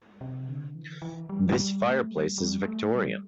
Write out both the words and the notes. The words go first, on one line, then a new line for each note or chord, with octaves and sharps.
This fireplace is victorian.
C3
D3
E3
E3
G3
G3
A3
G3
G3
A3
G3